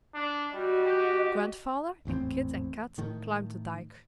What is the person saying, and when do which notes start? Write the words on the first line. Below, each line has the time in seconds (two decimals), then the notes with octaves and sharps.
Grandfather and Kit and Kat climbed the dyke.
0.14 D4
0.53 G3 F#4 D#5
0.85 G4
2.05 G#1 E2 A2 C4
2.98 A2 D#3